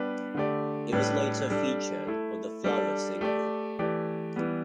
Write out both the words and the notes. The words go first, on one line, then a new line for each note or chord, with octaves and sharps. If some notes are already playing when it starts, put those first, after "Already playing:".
It was later featured on the "Flower" single.
Already playing: G3 B3 D4 G4 B4
D3 A3 G4 D5
A2 G3 D4 B4
G3 D4 A4
A3 E4 A4
G3 D4 A4
A3 G4 D5
E3 A3 G4 D5
E3 G3 B3